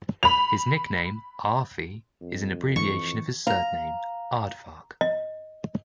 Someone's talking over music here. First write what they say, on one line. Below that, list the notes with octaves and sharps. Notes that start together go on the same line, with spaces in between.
His nickname "Aarfy" is an abbreviation of his surname, Aardvark.
B5 F7
F2
E3 C#6
F5 A#5
D#5